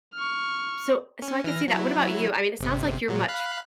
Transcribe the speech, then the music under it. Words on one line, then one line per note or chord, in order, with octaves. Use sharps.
so so, I could see that. What about you? I mean, sounds like you're much
C#6 F6
C#4
E3 F6 A#6
F#3 E4
G1 C3
A#2 F#3
F5 B5 F#6